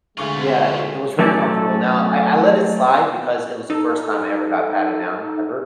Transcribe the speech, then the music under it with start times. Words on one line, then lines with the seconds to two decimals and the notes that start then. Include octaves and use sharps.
Yeah, it it was very uncomfortable, now, I I let it slide because it was the first time I ever got patted down, ever.
0.18 D2 D3 G#3 A3 F4 C#6 F#7
1.19 F#3 A3 C#4 A4 D5
3.70 D#4 A4